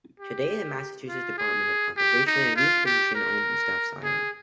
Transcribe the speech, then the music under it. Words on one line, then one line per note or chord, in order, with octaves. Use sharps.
Today the Massachusetts Department of Conservation and Recreation owns and staffs the island.
G4
F4
G#4
G4
D#4
F4
G4
A#4
G#4